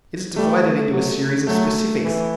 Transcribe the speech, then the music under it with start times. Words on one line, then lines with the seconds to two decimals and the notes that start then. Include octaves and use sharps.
It is divided into a series of specifics.
0.36 G3 A3
0.91 F#3
1.47 F#3 A3
2.03 E3